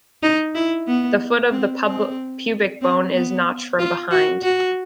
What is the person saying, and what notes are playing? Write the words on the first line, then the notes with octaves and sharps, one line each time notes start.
The foot of the pubic bone is notched from behind.
D#4
E4
B3
C4
C4
C4
B3
F4
F#4
F#4